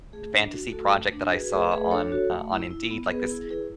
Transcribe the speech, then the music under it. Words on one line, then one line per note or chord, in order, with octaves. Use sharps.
fantasy project that I saw on uh, on Indeed, like this
A3 G#4
D4
F#4
A3 F#4 A4
A3
D4
F#4 G#4 B4
A3 G#4 B4
A3 G#4 B4
D4 A4 C#5
F#4
A3
E4
E4
B3
B3 G#4 B4
E4 G#4
E4 G#4 B4